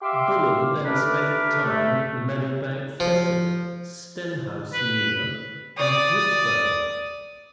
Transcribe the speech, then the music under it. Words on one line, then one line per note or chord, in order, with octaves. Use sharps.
Bullen then spent time at Meadowbank Thistle, Stenhousemuir and Whitburn.
G4 E5 F5 C6 D6
A3 D4 G4 A#4 B4
A3
F3
B4
D5 D#6